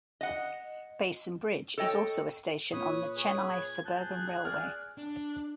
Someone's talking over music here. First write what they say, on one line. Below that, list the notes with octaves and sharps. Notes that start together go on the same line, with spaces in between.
Basin Bridge is also a station on the Chennai suburban railway.
D#5 F#5
A4 C#5 D#5 G5
A#2 B4 C#5 D#6
G#4 B4 C#5 D#6
G#6
G#4 A5 F#6 G6
D5 F6
D4